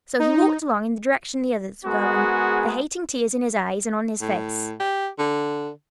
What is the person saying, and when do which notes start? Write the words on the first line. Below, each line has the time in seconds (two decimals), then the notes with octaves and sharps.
So he walked along in the direction the others were going, the hating tears in his eyes and on his face.
0.20 D#4
1.85 G#3 B3 F#4 G#4 A#4
4.22 A2
4.80 G4
5.19 D3